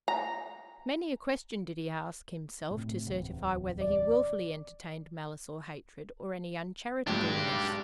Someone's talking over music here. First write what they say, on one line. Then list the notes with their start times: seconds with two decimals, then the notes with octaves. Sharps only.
Many a question did he ask himself, to certify whether he wilfully entertained malice or hatred, or any uncharitableness.
0.08 A#5
2.71 A2 C3
3.07 D1 E2 C3
3.81 D5
7.07 B1 G#2 D4 G4